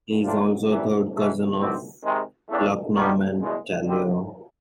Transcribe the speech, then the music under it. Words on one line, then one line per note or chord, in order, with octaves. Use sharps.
He is also a third cousin of Luc-Normand Tellier.
A2 F3 A#3 D4 F4
C2 C3 E3 G3
G#2 E3 A3
C2 B2 G3 C4
C3 D#3 G#3
E2 C#3 E3 A3 D4
D#2 D#3 G3 B3 D4
E2 B2 G#3
D#2 D3 G3 C4